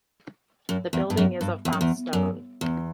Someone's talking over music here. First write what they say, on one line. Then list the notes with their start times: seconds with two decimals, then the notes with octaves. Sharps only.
The building is of Bath Stone.
0.69 F#2
0.93 E2
1.10 G2
1.17 F#2
1.41 G2
1.65 E2
1.73 F#2
1.81 E2
2.13 F#2
2.61 E2